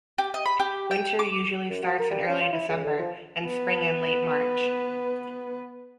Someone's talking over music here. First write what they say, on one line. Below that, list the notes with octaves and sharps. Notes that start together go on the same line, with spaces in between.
Winter usually starts in early December, and spring in late March.
G4
D#5
B5
G4
G5
D6
F#2
F#4
A#4
G3
C#4
F4
E4
C#2
D3
F3
B3 B4